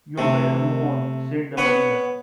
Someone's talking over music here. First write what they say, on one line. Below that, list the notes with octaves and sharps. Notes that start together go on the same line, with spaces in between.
"You'd better move on," said the mariner.
C3 A3
B3 B4 C#5 F#5